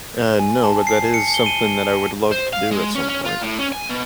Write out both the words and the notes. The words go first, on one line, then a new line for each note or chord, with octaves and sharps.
Uh, no, but that is something that I would love to do at some point.
G#5
A5
C7
C#7
G7
D#7
C5
F5
G#3
C#4
C#4
F4
A2
C#4
G#5
B2